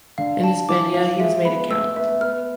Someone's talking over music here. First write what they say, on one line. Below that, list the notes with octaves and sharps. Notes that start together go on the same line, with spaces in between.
In Hispania he was made a count.
D3 F5
A5
E3 D6
F3 F5
G#3 E5
B3 B5
A3 E6
B3 E5
B3 F6